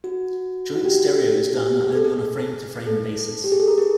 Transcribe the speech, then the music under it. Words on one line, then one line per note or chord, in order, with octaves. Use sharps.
Joint stereo is done only on a frame-to-frame basis.
F#4
F#4
G4
G4
G#4
A4
G#4
A4
G4
G#4
A4
A#4
G#4